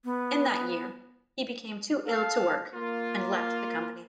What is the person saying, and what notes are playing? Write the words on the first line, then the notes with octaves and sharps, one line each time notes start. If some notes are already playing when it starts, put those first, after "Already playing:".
In that year he became too ill to work and left the company.
B3
A4 F5
A#3 F4